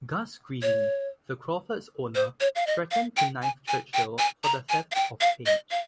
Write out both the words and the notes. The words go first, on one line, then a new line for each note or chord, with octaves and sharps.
Gus Greenlee, the Crawfords' owner, threatened to knife Churchill for the 'theft' of Paige.
C#5
C5
C#5
F5
D#5
F5
G5
G#5
G#5
G5
G#5
A#5
G#5
F5
G5
F5
D#5
F5